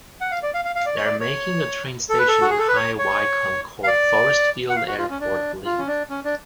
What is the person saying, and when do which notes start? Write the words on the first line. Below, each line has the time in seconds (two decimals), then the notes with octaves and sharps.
They are making a train station in High Wycombe called Forrestfield-Airport Link.
0.21 F#5
0.31 F5
0.43 D5
0.54 F5
0.65 F5
0.76 F5
0.86 D5
0.96 C#5
1.06 D5
1.21 C#5
2.09 A4
2.19 B4
2.28 A4
2.42 F#4
2.50 G#4
2.59 A4
2.68 B4
2.76 C#5
2.98 C#5
3.84 F5
3.87 D5
4.70 F#5
4.76 F5
4.87 F#4
4.98 F4
5.10 C#4
5.21 D4
5.65 F4
5.78 C#4
5.87 D4
6.10 C#4
6.25 D4